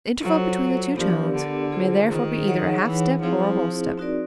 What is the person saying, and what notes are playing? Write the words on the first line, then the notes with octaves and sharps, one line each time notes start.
The interval between the two tones may therefore be either a half-step or a whole-step.
F#3 F4 A4 C5
F3 B3 D4 G4 A#4 D5
D3
F4 G#4 C5
D#3
D#4 G#4 C#5 F#5
E3
F3 C4 E4 G#4 C5
C4 D#4 F#4 A#4 D5